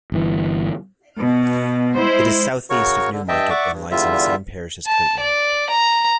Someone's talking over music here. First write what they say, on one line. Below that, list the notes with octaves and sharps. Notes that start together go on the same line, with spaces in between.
It is south-east of Newmarket and lies in the same parish as Kirtling.
G1 E3
B2
G#3 E4 C5
C#3 F#4 A#4 C#5 C#6
D3
G2 D#5 E5 G5 A5
D5 E5 F#5 C#6 D6
G2
E2 D3 G3 F4 E5
A5
D5
A#5